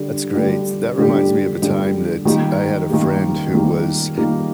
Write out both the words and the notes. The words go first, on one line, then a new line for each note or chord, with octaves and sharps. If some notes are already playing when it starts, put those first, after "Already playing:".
That's great, that reminds me of a time that I had a friend who was
Already playing: D3 G3 D4 G4
D3 G3 D4 G4
D3 G3 D4 G4
D3 G3 D4 G4
D#3 G3 A#3 D#4 G4
D#3 G3 A#3 D#4 G4
D#3 G3 A#3 D#4 G4
D#3 G3 A#3 D#4 G4